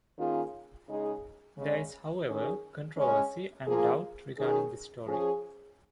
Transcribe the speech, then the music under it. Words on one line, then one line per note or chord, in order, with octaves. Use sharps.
There is however, controversy and doubt regarding this story.
D#3 A#3 C#4 F4 G#4
C#3 G#3 D#4 G#4
C#3 G#3 C#4
D#3 C#4 G#4
C#3 G#3 C#4
F3 A#3 F4 G#4
D#3 C#4 G#4
F3 C#4 G#4